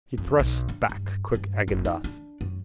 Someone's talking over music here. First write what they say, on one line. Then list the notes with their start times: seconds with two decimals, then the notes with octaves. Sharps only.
He thrust back quick Agendath.
0.18 F2
0.39 B1
0.69 D4
0.89 G2
1.35 G2
1.68 F#1
1.85 D#4
2.04 D4
2.41 F#2